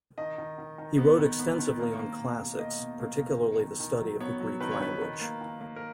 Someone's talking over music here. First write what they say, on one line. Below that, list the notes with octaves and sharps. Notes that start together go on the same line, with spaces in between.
He wrote extensively on Classics, particularly the study of the Greek language.
D#3 D#5
D#3
D#3
D#3
B3
D#3
B3
D#3
A#3
A#3
B2
A#3
A#3 D#5
B2
A#3
B2
D#3
D#3
D#3
F#3
B3 C#5
F#3
D#3 B4
C#5
D#3 B4
D#3
A#3
D#3
A#3
A#4